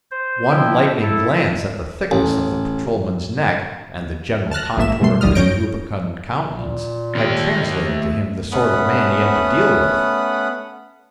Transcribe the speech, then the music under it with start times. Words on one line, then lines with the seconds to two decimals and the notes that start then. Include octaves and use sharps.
One lightning glance at the thickness of the patrolman's neck and the general contour of his rubicund countenance had translated to him the sort of man he had to deal with.
0.11 C5
0.51 F3 E4 G5
1.02 E4 A4
2.11 A1
4.51 A5 F6 F#6 A#6
4.77 A#1 A3 A#3 E5 E7
5.01 B2 G3 A3 C6
5.21 A#1 D#2 G3 D#6 F6
5.35 F#2 C#5 G6 A#6 D7
6.52 A#2
7.15 D#2 G4
7.79 A3
8.52 A3 B3 C#4 F#5 B5 D#6